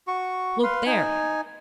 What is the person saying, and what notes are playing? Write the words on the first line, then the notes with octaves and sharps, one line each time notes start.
Look there!
F#4 C#6
B4 F5 C6
D#4 G#5